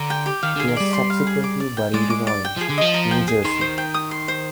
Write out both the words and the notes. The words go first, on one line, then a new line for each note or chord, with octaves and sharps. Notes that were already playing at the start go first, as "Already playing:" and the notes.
He was subsequently buried in Orange, New Jersey.
Already playing: D3 A#5
G5
G4
D#3 F5
D3 G#4
D#3
G3 D5
C6
F5
G#4
D6
D5
G5
G#3 D5
D6
D5
G5
F3
G#4
D3
F3 D#5
A#5
G5
G#4
D#3 C6
C5
G5
D#6
C6
C5